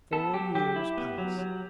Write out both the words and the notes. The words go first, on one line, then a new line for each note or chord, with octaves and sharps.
Four years passed.
B3 A4
F#3 G4
F#3 G4
E4
B3
F#3
F#3